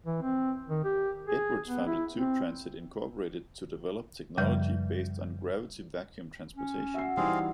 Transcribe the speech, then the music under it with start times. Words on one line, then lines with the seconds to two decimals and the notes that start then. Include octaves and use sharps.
Edwards founded Tube Transit, Incorporated to develop technology based on "gravity-vacuum transportation".
0.07 E3
0.22 C4
0.70 D#3
0.84 G4
1.27 G#4
1.68 B3
1.87 E4
2.14 C4
4.38 F#2 C#3 F3 G3
6.56 C#4
6.94 F#4 E5 E6 C7
7.17 E3 G3 C4 D#4 G#4 F5